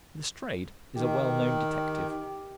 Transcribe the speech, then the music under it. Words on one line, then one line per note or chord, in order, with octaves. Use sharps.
Lestrade is a well-known detective.
D#3 G4